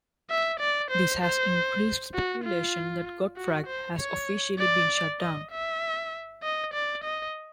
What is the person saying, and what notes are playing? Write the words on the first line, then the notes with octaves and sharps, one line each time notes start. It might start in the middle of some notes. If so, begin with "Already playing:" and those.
This has increased speculation that Gotfrag has officially been shut down.
E5
D5
C5
C5
F#4
F4
F#4
C5
C#5
D5
D#5
E5
D#5
D5
D#5